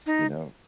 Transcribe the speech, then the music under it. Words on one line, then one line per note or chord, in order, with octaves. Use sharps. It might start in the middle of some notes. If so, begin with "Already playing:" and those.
you know,
D#4